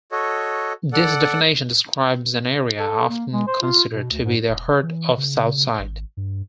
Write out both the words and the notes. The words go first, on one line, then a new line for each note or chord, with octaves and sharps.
This definition describes an area often considered to be the heart of Southside.
F#4 A4 C#5 D#5
A4 D5 F#5
A4
A#3
G#3
C5
F4
B2
D2
G#2
E1
E3
C#3
G#1
G2